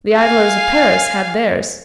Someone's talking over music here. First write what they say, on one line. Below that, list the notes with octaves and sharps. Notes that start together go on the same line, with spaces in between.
The idlers of Paris had theirs.
F5 G#5